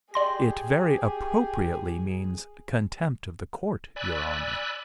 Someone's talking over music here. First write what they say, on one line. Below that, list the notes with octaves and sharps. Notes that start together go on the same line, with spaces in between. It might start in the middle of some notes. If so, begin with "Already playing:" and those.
"It very appropriately means 'contempt of the court,' your honor."
G4 G#4 D5 C6 A#6
D5 G#5 B5 E6 F#6